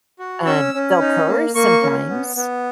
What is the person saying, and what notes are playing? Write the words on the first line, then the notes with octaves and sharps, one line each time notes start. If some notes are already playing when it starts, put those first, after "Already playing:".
Um, they'll purr sometimes
F#4
C#4 E6
C#4
D#4
A#3
A#3 C#6
C#4
B3
B3